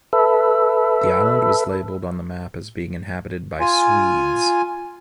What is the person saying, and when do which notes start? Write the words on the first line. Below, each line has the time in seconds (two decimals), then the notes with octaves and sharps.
The island was labeled on the map as being inhabited by Swedes.
0.13 A4 B4 E5
3.60 F4 G#5